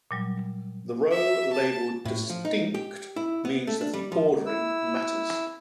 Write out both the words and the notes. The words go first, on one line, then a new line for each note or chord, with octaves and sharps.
The row labeled "Distinct" means that the ordering matters.
A#2 F#3 G3
E5
A5
A2
F3
D#4
G4
E4
B3
A3
D4
G3
F3
E4 E6